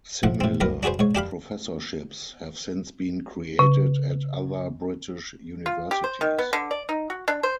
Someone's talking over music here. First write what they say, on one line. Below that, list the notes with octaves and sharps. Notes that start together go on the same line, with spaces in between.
Similar professorships have since been created at other British universities.
A2 F3 F#5
A2 C4
C2 F#2 A#4 B4
D4 F#4 G#4 B4 C5
G#2 C#5
D4 G4 F5 B5
C#3
F4
G4
C5
D#3
B3
D3
D5
D#4
F#4
D4
C5